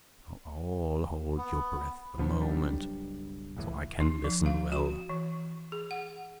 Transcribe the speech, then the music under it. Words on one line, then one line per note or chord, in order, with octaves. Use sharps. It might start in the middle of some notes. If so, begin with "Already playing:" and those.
Now all hold your breath a moment so I can listen well.
B3
A#1 F3 B3 D4
F#1 B1 G3 D4
F1 C#2 A2 E3
D#4
F3
F5
F#4
E3
G#4
F#5